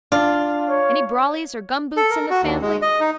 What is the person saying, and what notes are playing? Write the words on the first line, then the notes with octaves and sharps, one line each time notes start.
Any brollies or gumboots in the fambly?
D4 F4
C#5
A4
A#4
F#4
D#2
G#3
D#5
D#4